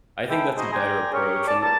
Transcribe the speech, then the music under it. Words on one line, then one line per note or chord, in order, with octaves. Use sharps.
I think that's a better approach, and
G#3 A4 B4 E5 G5 G#5
D#4 E4 F#4 G#4 C5 D#5
G#4 D5 G5 G#5 A#5 C6
C#4 G4 G#4 A#4 C#5
D5 A5
C#2 G3 A#3 A5